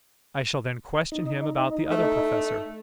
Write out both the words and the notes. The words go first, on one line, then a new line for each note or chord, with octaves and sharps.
I shall then question him about the Other Professor.
D#4
A3